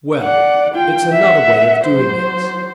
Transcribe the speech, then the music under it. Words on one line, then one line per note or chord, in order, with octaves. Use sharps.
"Well ... it's another way of doing it."
D5 F#5
F4 G5
E5 F#5
F#3 C5